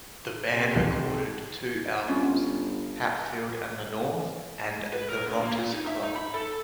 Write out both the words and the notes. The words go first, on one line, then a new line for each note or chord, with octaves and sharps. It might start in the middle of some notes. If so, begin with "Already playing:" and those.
The band recorded two albums, "Hatfield and the North" and "The Rotters' Club".
C3 G4 A4 C6
G1 C#4 F4
B4
A#4
D2
A#3
A#2
D#4
E5
D#4
B5
A4